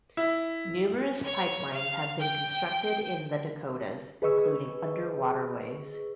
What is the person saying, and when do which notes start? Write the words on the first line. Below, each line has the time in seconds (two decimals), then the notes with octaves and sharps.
Numerous pipelines have been constructed in the Dakotas, including under waterways.
0.17 E4
1.23 C#5
1.73 F5
2.20 G5
4.22 G#4 B4 D#5 C#6 E6